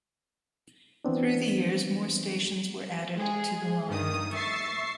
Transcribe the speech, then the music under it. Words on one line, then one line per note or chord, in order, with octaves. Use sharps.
Through the years, more stations were added to the line.
E3 B3 C4 D4
G#3 G#4
G2 D#3 D#6
E5 C#6 A6 C7